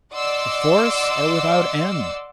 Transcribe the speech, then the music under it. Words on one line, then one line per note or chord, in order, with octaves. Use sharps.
The forests are without end.
D5 D#5 F#5 C6 D6 E6